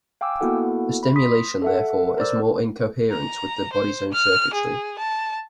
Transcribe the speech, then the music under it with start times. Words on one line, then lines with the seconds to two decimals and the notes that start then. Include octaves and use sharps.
The stimulation therefore is more in coherence with the body's own circuitry.
0.21 F5 G5 G#5 D6 E6
0.40 A#3 B3 E4 F#4 A4 F#5
1.03 B5
1.16 C6 D#6 B6
1.62 A4 E5 F#5
2.17 A#4 C5 D5 E6
3.12 A#5
3.73 C5
4.12 F6
4.54 G#4
4.99 A5